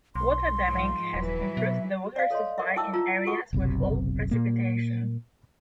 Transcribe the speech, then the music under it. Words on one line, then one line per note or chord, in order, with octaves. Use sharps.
Water damming has improved the water supply in areas with low precipitation.
B1 C6
G#2 F3
D#1 E3 F#3 B4
B2 E5
D5 F5
A4 C#5 D#5 C6
A#4 E5
E4 E5 G5 A5 D6 E6
F4 A#5 E6
E4 F#4 G#4 A4 F#5 C#6
F#1 B1 C3
A#2 A#3